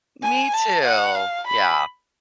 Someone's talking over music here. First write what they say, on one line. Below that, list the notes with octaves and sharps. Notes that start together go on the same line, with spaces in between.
Me too, yeah.
G#5
A5
F#5
F5
B5